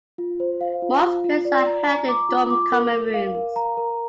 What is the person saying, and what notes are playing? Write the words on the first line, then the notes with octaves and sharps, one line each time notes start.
Most plays are held in dorm common rooms.
F4
C5
F5
F4
F4
F4
D5
A#5
A#5
D6
F4
D6
A#4
A#4
F5
A#4
A#5
A#4